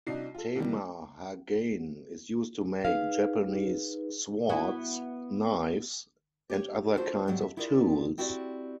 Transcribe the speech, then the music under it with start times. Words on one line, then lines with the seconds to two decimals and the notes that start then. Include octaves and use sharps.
Tamahagane is used to make Japanese swords, knives, and other kinds of tools.
0.07 C2 D4 D#4 F#4 D#5 C7
0.35 F4 A4
0.55 C2 D#3 E3 G3
2.85 D#4 G#4 B4 F5
4.49 B3 E4 F#4
6.50 G4 C#5
6.97 D4 F4 F#4 A4 C5
7.27 G#2 F#3 G3 B3 C4 F#5
7.41 E5
7.57 E4 F4 G#4 A#4 C5 D5
8.18 C4 E4 F#4 G4 C#5 D5